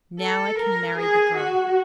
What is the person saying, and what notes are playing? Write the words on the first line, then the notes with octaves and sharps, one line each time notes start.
"Now I can marry the girl."
A4
A#4
G#4
F#4